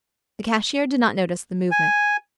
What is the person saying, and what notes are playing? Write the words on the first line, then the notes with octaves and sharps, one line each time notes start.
The cashier did not notice the movement.
G#5